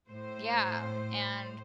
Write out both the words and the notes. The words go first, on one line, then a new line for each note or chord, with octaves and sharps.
yeah, and
A2 C5